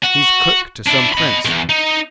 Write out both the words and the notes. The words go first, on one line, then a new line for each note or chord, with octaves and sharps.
"He's cook to some prince."
F#4
D4 E4
D#5 B5
B1 E2
D#4